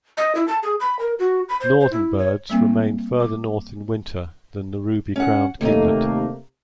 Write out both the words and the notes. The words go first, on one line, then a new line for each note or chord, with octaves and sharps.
Northern birds remain further north in winter than the ruby-crowned kinglet.
D#5
E4
A5
G#4
B5
A#4
F#4
B5
C5
C5
E4
C#5
G3 A#3 C4
D6
C#4 F#5
D#2 C3 A3 A#3 D#4